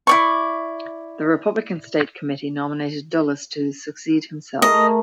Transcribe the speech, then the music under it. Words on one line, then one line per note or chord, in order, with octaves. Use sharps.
The Republican State Committee nominated Dulles to succeed himself.
E4 D5 C#6
A3 G#4 A#4 D#5